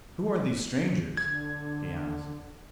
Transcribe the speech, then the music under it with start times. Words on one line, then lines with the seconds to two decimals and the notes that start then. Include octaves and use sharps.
"Who are these strangers?" he asked.
1.17 D3 G#6